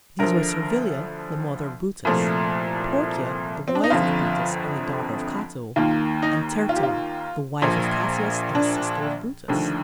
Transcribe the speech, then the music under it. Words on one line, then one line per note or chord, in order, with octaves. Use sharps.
These were Servilia, the mother of Brutus, Porcia, the wife of Brutus and the daughter of Cato, and Tertulla, the wife of Cassius and sister of Brutus.
D2 D3 F3 A#4
C2 A#2 F3 A3
C4
D4
D#4
G1 F2 D3 F3 F4
D#2 D#3 A#3 F4
D#4
F4
G4
F4
A#1 A#2 F3
D4
D#2 D3 F3 A3